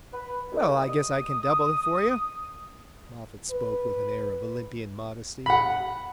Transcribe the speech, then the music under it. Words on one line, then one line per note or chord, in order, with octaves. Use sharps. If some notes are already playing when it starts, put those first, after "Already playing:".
"Well, I guess I can double it for you." Moffatt spoke with an air of Olympian modesty.
B4
C2
D#6
B4
F#5 B5